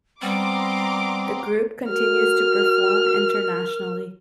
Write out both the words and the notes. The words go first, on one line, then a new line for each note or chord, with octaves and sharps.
The group continues to perform internationally.
G3 B3 C4 A#5 C6 D6
F#4 A#4 F6